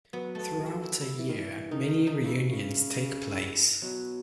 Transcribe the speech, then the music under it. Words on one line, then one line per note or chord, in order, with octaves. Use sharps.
Throughout the year, many reunions take place.
F#3 B3
A3 B3
E4
E4
E4
E3
D#3
E3
D#3 D#4
D#4
D#4
C#3 E4
B2
C#3
E4
B2 F#3